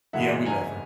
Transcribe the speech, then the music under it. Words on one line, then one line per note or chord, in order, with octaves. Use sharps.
Yeah, we left her.
F#2 C#3 E3 G#3 E5 F#5
G#5 A#5